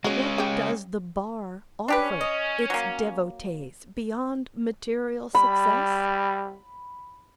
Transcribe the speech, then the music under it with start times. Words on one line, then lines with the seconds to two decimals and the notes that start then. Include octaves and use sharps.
What does the Bar offer its devotees--beyond material success?
0.04 G#3 C#4 F#4 C#5
0.38 C#3 G4
1.88 C#4 D4 G4 B4
2.21 D#5
2.70 F#3 A#3
5.35 G3 B5